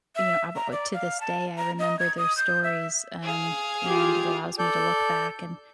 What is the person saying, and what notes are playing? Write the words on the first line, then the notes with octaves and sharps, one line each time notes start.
you know, I've al to this day, I remember their stories, um, and it allows me to look back and,
E5
A#5
D5
F5
A5
A#5
D#5
G#6
D#6
G6
E5
G#4 F5
F4 G4
A4 D5 G6